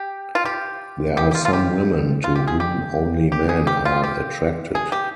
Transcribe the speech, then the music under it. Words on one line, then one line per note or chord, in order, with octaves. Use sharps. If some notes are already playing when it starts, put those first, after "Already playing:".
There are some women to whom only men are attracted.
Already playing: G4
F4
G4
G4
G4
F4
F4
G4
F4
G4
G#4
G4
G4
G#4
G4
F4
G4
G#4
G4